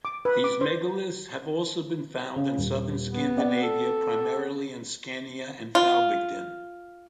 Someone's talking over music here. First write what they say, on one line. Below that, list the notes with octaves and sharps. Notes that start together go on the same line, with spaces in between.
These megaliths have also been found in southern Scandinavia, primarily in Scania and Falbygden.
D6
B4
D6
C5
C#3
D#1
B3
C4 D5 F#5
A4
F4